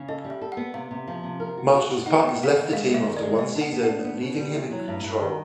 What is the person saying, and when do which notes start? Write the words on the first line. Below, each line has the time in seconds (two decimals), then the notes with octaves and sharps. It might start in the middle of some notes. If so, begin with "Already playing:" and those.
Marshall's partners left the team after one season, leaving him in control.
Already playing: C#3
0.09 A4 D#5
0.24 G3
0.30 E5
0.41 A4
0.52 F#5
0.57 B3
0.74 C3 F5
0.91 C3
1.07 F3
1.23 C3
1.40 A#4
1.57 F#4
1.73 F#4
1.90 F#4
2.06 D#4 F#5
2.20 B3 F#5
2.29 G5
2.39 B3 F5
2.51 F#5
2.57 D#3
2.72 G#3 F5
2.90 B3 E5
3.06 D#3
3.17 D5
3.22 G#3
3.39 B3 D#5
3.55 D4
3.61 F#5
3.72 B3
3.83 D4 F#5
4.04 B3
4.21 B2
4.37 G3
4.55 E2
4.72 F#3
4.88 G2
5.03 G2
5.21 D#3